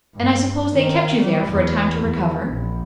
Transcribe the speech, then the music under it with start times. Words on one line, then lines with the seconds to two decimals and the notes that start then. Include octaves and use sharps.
"And I suppose they kept you there for a time to recover?"
0.15 G2
0.75 D#3
1.20 G3
1.49 E2
1.99 E2
2.52 A#1